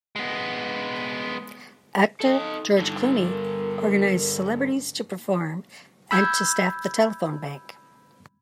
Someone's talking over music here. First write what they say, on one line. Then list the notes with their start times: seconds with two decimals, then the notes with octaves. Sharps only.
Actor George Clooney organized celebrities to perform and to staff the telephone bank.
0.16 G#3 B3
2.21 A4 D#5
2.39 D#4
2.79 G2 D3
3.26 A#4
6.11 B5 E6 G6 G#6